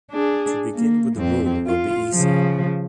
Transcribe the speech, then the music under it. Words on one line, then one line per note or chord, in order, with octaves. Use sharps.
To begin with the rule will be easy.
D4 G#4
A#3
F2 C4
F4
C#3 F3